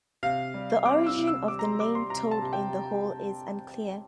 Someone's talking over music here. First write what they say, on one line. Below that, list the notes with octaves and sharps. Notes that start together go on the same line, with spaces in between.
The origin of the name 'toad in the hole' is unclear.
C3 F5
G3
C4 D6
E6
C3
E6
G3 D6
A#5
C6
G3 D6
C6
C3 A#5
A5
C3
G5